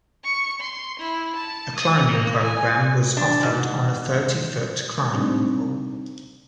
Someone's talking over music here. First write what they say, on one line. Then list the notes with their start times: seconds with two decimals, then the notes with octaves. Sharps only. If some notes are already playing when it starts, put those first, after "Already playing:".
A climbing program was offered on a thirty-foot climbing wall.
0.24 C#6
0.61 C6
0.99 E4
1.36 A5
1.76 D#6
2.10 A#3
2.43 G#5
3.17 D4
3.43 G#2
5.13 G3 C4 D4 D#4